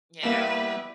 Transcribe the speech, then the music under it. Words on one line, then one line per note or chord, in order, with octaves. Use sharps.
you know,
G3 A#3 B3 E4 B4 E7